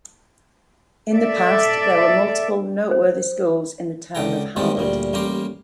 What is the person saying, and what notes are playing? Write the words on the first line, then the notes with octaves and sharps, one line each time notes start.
In the past there were multiple noteworthy schools in the town of Howard.
A4 D5 E5
C5
C#2 D3 A4 G5 A#5
D#3 F3 G3 G#3 C4 A4
D2 A#2 G3
A1 G3 A#3 G4 A#5 C6